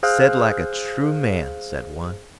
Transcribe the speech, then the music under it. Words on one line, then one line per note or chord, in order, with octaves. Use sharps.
"Said like a true man," said one.
G#4 C5 F5 F6 F#6